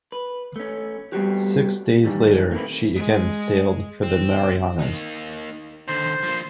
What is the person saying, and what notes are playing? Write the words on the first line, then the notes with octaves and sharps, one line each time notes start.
Six days later, she again sailed for the Marianas.
B4
A3 C#4
G3 A3 B3 C4 F#4 G4
A#2 D#3 E3 G3
A3 A#3 C4 E4 B4
G#3
C4
A#3 D#4
D#2 D3 C5
F3 A#3